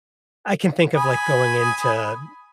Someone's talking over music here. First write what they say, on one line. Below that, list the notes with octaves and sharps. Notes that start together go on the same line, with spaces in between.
I can think of, like, going into
G#5 B5 D#6